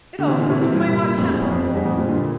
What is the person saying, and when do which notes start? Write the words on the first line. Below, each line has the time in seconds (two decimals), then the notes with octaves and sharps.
'It all comes from my hot temper!
0.19 D3
0.27 C3 E3
0.38 A#2 D3
0.50 C3 E3
0.61 C3 E3
0.72 G2 A#2
1.18 F2 A2
1.29 E2 G2
1.41 F2
1.51 F2
1.69 F2
1.74 E2 G2
1.85 F2 A2
1.97 G2 A#2
2.08 A#2 D3